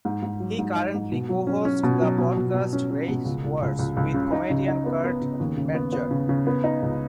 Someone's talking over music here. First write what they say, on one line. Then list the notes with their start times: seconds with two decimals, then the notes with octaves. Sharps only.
He currently co-hosts the podcast "Race Wars" with comedian Kurt Metzger.
0.05 G#2
0.22 G#2
0.40 F#3
0.59 G#2
0.76 D#4
0.94 G#2
1.12 B2
1.29 F#3
1.47 C#4
1.65 C#4
1.83 B2
2.01 F#3
2.18 B2
2.37 B2
2.54 B2
2.73 C#4
2.91 C#4
3.08 B2
3.25 C#2
3.44 C#2
3.62 C#2
3.79 C#2
3.97 C#2
4.14 C#3
4.32 D#4
4.50 C#3
4.68 D#4
4.86 B3
5.04 B3
5.21 C#3
5.40 D#2
5.57 C#3
5.75 B3
5.93 B3
6.11 C#3
6.29 C#3
6.47 B3
6.64 D#4
6.82 C#2